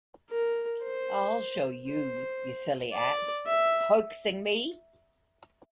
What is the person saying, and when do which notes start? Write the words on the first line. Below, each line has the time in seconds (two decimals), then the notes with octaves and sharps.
I'll show you, you silly ass — hoaxing me!
0.30 A#4
0.83 C5
1.88 C5
2.94 D5
3.46 E5